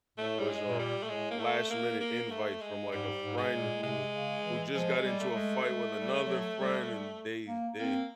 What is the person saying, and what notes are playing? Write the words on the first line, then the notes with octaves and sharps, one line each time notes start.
was a f last minute invite from, like, a friend who's, who just got into a fight with another friend, and they they
A2 A3
G3
G#3
A#2
G3
A3
A2 G#3
A#3
A3
A#3
A#3
A3
G#3
G#2 G3
G#2
G#3
A#2
C3 G#3
C#3
E3
F3 G#3
G3
A3
G#3
G#3
G3
F#3
G3
G3
A#3
A#3 C4